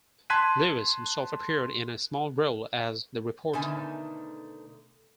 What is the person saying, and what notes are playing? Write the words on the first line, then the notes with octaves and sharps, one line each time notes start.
Lewis himself appeared in a small role as "The Reporter".
A5 C6 F#6 G#6 B6 D#7
B2 D3 D#3 A3 D#4 G#5